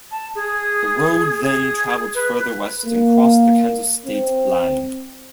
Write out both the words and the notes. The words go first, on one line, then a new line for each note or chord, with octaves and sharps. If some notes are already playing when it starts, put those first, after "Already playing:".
The road then traveled further west and crossed the Kansas state line.
A5
G#4
G#4
B4
A#3
C4